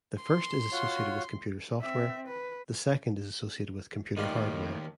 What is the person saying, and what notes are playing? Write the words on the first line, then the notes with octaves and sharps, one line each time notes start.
The first is associated with computer software, the second is associated with computer hardware.
C6
F4 F#4 C#5
C4 E5
B4
D#2 A2 D#3 G3 F4